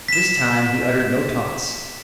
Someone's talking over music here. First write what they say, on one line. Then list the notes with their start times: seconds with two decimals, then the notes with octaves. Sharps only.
This time he uttered no taunts.
0.08 B6 E7